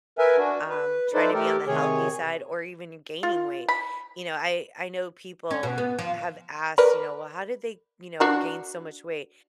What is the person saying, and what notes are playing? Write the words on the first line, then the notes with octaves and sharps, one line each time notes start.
um, tryna be on the healthy side or even gaining weight, you know, I I know people, eh, have asked, you know, "Well, how did they, you know, gain so much weight?"
A#4 B4 E5 G#5
D4 F#4
B4
D#4 E4 A4 B4 C5 D5
A3 G4 A4 A#4
C3 D#3 G#4 C#5
F4
B5
C#4
B2
B3
F3
A#4 B4 D5
D4 F#4 A#4